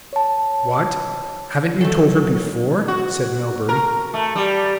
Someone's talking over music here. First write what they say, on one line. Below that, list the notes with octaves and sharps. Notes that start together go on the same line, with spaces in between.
"What! haven't you told her before?" said Melbury.
C#5 A5
F#3 A3 A4
F#4
A#4
A3
G3